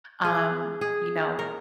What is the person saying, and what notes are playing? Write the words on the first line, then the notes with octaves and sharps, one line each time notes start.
um, you know,
G#4
G#4
A#4